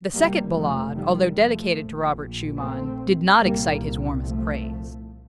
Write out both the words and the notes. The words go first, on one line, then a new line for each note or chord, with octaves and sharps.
The second Ballade, although dedicated to Robert Schumann, did not excite his warmest praise.
F1 F2 C3 G3 A#3
F3 A3
D#3 G3
F3 A3
A#1 A#2
A3 C4
C2 A#2 G3 A#3
F3 A3